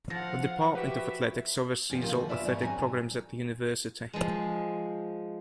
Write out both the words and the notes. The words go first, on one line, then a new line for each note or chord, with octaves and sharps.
The Department of Athletics oversees all athletic programs at the University.
F3 F5 F#5 A#6
F#4 G4 B4 E5
F#2 C3 F3 C4
D#3 F3 A#3 F4 G#4 A#4
B2 A3 F#4
F#2 B3 F4 B4 D5 E5
G#2 F3 C#5
G2 E3 C4 G#5 A#5
F3 G#3